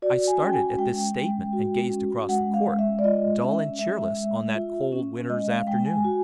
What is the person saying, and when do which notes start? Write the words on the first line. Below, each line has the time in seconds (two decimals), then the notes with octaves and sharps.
I started at this statement, and gazed across the court--dull and cheerless on that cold winter's afternoon.
0.02 F#4 D5
0.28 G#5
0.40 C#4 G5
0.53 G#5
0.77 G#3 G5
1.16 G#3
1.53 F#4
1.91 C#4
2.29 G#3 F#5
2.54 F5
2.66 G#3
2.79 E5
2.99 D5
3.04 F4 D#5
3.41 C#4 E5
3.79 G#3 E5
4.17 G#3
4.54 F4
4.92 C#4
5.29 G#3 D#5
5.49 F5
5.67 G#3 G5
5.86 G#5
6.04 F#4